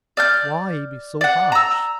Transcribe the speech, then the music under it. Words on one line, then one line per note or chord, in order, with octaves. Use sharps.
Why be so harsh?
D5 F6 G6
D5 F#5
A#5 E6